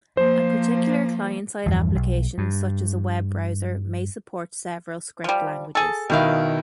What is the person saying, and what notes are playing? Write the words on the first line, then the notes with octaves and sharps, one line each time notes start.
A particular client-side application, such as a web browser, may support several script languages.
F3 A#3 C5
E2 G2 E3 F3
B1
G2
F3 G3
G#4 A4
B2 D#3 G3 E4 F5